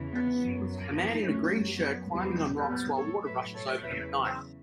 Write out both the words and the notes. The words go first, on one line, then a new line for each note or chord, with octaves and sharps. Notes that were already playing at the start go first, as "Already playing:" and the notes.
A man in a green shirt climbing on rocks while water rushes over them at night.
Already playing: E2 C#3 E3
B3
F#2 F#3
F#2 E3 B3
A3 C#4
F#2 F#3
B3
E2 B2 F#3 B3
A2 F#3 B3
A4 C#5
A2 F#3 B4 E5
A4 C#5
E2 C#3 F#3 B4 E5